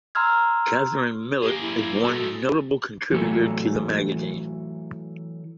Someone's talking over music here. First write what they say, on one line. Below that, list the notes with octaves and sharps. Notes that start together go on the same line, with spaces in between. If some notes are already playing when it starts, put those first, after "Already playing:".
Catherine Millet is one notable contributor to the magazine.
A#5 C6 E6 F6 G#6
A#3 G4 G#4
E4
G#3 A3 F#4
E3 F#3 A3